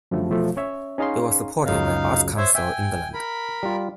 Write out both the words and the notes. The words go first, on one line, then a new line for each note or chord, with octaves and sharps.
It was supported by Arts Council England.
F#2 D3 F3 G3 A3
B2 E3 F3 A3
C#4 C#5 E5
C#4 D#4 G#4 F5 A#5 C6
C#2 F#2 C#3 D#4 F5
C5 C#5 E5
E5 G5 G#5
A#4 B5
G3 F4